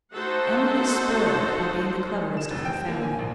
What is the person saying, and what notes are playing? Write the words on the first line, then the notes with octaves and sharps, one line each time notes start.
Emma is spoiled by being the cleverest of her family.
A3 D#4 F#4 A4 C5 F#5
E7
F1
G5
A#3
G#5
A#1